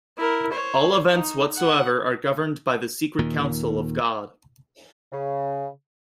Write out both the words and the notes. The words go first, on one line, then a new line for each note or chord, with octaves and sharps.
All events whatsoever are governed by the secret counsel of God.
E4 A#4
C5 C#5
D#4
F#5
D#2 A#2 D#3
C#3